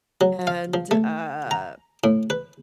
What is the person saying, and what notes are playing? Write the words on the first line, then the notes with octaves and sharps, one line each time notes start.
And, uh,
F#3
F5
F3
A3
A#5
A2
B4